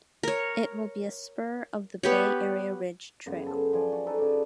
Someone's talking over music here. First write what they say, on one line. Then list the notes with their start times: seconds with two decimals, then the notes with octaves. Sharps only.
It will be a spur of the Bay Area Ridge Trail.
0.23 A#4 C#5
2.03 B3 G4 C#5
3.26 F#2 C#3 B3
3.47 A4 C5
3.73 F3 D5 G#5 C6
3.92 F#4
4.06 D#4 A4 B4
4.18 C#3 D5